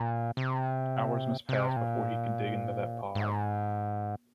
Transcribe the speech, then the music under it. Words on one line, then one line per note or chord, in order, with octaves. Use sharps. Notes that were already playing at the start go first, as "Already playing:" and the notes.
Hours must pass before he could dig into that pie.
Already playing: A#2
C3
C3
A#2
G#2